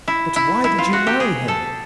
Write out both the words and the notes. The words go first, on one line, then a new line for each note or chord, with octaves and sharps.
"But why did you marry him?"
E4
E4
E4
F4
F#4
G4
G#4
A4